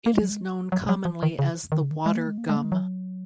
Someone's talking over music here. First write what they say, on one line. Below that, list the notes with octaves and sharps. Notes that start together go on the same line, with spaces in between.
It is known commonly as the water gum.
A#3
G#3
F#3
G#3
F#3
F#3
F3
D#3
C#3
D#3
C#3
D#3
G#3
A#3
G#3
A#3
G#3
A#3
G#3
F#3